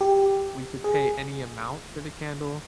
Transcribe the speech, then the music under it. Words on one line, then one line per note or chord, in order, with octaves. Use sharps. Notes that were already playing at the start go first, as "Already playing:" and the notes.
we could pay any amount for the candle,
G4
G#4